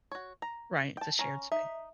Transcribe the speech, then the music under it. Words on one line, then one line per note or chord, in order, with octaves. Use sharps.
Right. It's a shared spa
F#4 C#5
A#5
G5 A5
C#4 A#5
D#4 E5